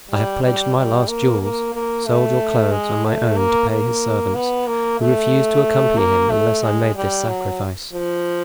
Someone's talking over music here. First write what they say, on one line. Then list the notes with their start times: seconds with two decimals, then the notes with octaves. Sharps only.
I have pledged my last jewels, sold your clothes and my own to pay his servants, who refused to accompany him unless I made this sacrifice.
0.11 G3
0.43 G3
0.75 G3
1.08 A#3
1.41 A#3
1.74 A#3
2.06 A3
2.71 G#3
3.04 A3
3.36 A#3
3.69 A#3
4.35 B3
4.67 A#3
5.00 A3
5.97 A#3
6.30 A3
6.63 G#3
6.95 G3
7.28 F#3
7.93 F3